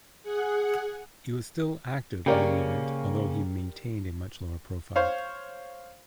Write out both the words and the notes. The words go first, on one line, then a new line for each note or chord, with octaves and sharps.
He was still active in the movement, although he maintained a much lower profile.
G#4 F#5
C#3 A#3 C#4 G4 A#4 D5
C5 C#5 F5